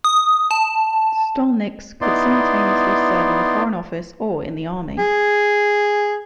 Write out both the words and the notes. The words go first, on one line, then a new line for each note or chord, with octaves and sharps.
"Stolniks" could simultaneously serve in the foreign office or in the army.
D#6
A5
B3 D#4 E4 D5 C6
G#4